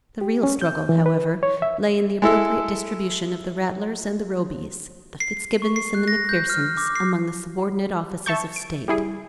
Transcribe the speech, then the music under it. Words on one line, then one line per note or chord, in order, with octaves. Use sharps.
The real struggle, however, lay in the appropriate distribution of the Rattlers and the Robys, the Fitzgibbons and the Macphersons among the subordinate offices of State.
G4
C#4
G6
E3
B4
C#5
E5
G#3 E4 A4
C7
C#6
C7
F#6
A#6
G6
F6
D6
C7
E5 A5 C#6 G6
D7
G3 E4 G#4